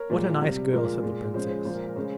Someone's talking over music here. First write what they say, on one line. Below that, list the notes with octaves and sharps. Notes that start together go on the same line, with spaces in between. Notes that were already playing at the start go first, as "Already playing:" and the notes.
"What a nice girl!" said the princess.
Already playing: A#4 C#5
A#2 F3 G#3
C3 G3
A#2 F3 G#3 A#4
A#2 G#3
C#3 F3 G#3 C5
A#2 F3 G#3 C5
A#4
A#4
C#3 G#3 C5